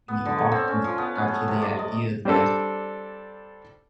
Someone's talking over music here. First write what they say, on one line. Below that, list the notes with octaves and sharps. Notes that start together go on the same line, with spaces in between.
we often subscribe to the idea that,
B3
D3
C#5
C4
C#4
F3
B3
C#4
A3
C3
D5
D#5
G3 C4 D4 A4